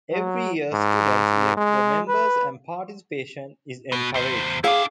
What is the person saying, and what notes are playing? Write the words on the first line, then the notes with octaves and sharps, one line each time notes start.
Every year students elect the members and participation is encouraged.
F#3
G#2
G#3
B4
B3 F#4
E2 C5
D4 E4 G#4 F5 G5